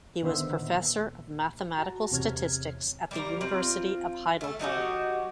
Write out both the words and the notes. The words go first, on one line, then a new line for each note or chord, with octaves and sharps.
He was Professor of Mathematical Statistics at the University of Heidelberg.
D3 D#3 B3 C5 E5 E6
A#2
F#4 A5 A#5
E2 C3 C#5 F6 G#6
G3 A#3 A#5
C4 F4
A3 A4
F#3 D#4 F#4 G4